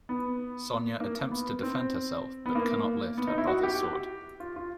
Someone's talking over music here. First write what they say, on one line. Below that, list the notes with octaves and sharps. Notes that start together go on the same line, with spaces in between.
Sonja attempts to defend herself, but can not lift her brother's sword.
B3
A#3
B3
C4
B3
A#3
B3
D#4
E4
F#4
G4
F4
F4